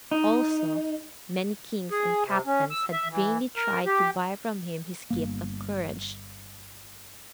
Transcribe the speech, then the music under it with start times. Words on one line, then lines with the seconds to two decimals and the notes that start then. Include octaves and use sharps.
Also, many kings and captains had vainly tried to buy from him his gift of courage.
0.11 D#4
1.91 G#4
2.26 C3
2.46 C#4
2.70 E6
2.92 E5
3.10 E3
3.56 A#4
3.86 G4
5.10 G1 A#3